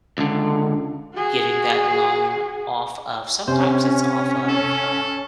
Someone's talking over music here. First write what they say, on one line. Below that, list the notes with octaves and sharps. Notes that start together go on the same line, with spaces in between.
getting that loan off of sometimes it's off of, um,
C#2 D3
F#4 G#4
C3 C#4 C5
A4